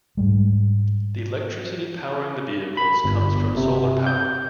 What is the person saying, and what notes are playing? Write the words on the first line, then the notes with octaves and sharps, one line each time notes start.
The electricity powering the vehicles comes from solar power.
G#2 G3 G#3
B5
G1
C3
G6